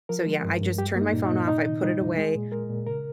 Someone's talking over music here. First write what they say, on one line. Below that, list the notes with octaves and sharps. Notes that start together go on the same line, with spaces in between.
So, yeah, I just turn my phone off, I put it away,
F3 A#4
G#3
G2
G2
G3 G4
A#3
D#4
A#2
D#4
A#2
C3 D#4
D#3
G3 D#4
F2
G#3 G#4
A#2
G#3 A#4
A#2
C#3 A#4